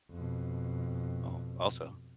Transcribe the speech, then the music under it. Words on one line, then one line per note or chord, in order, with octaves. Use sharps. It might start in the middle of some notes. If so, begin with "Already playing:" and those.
Oh, also
F2 B2